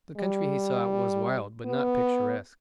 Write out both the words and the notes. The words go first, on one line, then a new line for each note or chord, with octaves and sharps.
The country he saw was wild but not picturesque.
G3
B3